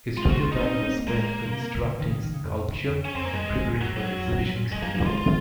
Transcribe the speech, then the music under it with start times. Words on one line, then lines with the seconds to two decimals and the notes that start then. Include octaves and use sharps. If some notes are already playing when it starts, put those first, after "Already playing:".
His studio time was spent constructing sculpture and preparing for exhibitions in Europe.
0.17 G#3 F4
0.30 F#4
0.40 F4
0.52 A#3 D#4
0.63 C4
0.75 C#4
0.86 C4
0.97 A#3
1.08 G#3 A#3
1.46 A#2
1.53 C3
1.84 C#3
2.00 D#3
2.11 C#3
2.22 D#3
2.34 C#3
2.44 F2
2.90 F2
3.05 C#4
3.15 F2 C4
3.25 A#3
3.35 F#2 G#3
3.50 G#2
3.61 A#2
3.65 G#2
3.81 F#2 F#3
3.96 F#3
4.26 F2
4.41 F#2
4.56 A#2
4.71 F#2 G#3
4.82 F3 A#3
4.94 F#3 A#3
5.06 G#3 F4
5.18 F4